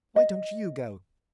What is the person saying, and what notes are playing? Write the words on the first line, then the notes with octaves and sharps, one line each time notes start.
Why don't you go?
D#5